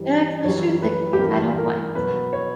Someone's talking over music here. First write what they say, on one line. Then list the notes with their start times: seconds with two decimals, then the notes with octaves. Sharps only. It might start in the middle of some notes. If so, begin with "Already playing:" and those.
Yeah, especially with a kid. And I don't want him to
Already playing: G2 E3 G3
0.44 F#2 E3 G3 C#5
0.82 B4
1.13 G4
1.20 G2 E3 G3 A#4
1.58 A#4
1.95 B2 F#3 B4
2.33 C#5